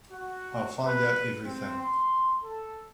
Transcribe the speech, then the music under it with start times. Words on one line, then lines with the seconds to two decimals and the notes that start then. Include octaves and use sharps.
I'll find out everything.
0.12 F#4
0.86 B4
1.45 C4
1.82 C6
2.44 A4